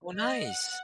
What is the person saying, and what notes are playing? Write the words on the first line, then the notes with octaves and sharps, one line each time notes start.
Oh, nice.
D#5
F#5